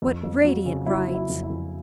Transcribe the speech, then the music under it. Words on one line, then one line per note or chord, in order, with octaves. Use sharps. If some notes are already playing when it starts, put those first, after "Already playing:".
'What radiant rites!
F2
F2
F#3
C#3
F#3 E4
F#3
E4
F2
E4
F2